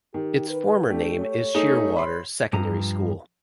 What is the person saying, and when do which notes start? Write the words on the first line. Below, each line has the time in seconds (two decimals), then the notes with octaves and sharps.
Its former name is Sheerwater Secondary School.
0.14 D#3 G4
0.50 B4
0.90 A3 D4 G4
1.20 C#5
1.55 A3 D#4 G#4
1.96 B5 C6
2.53 G2 F3 A#5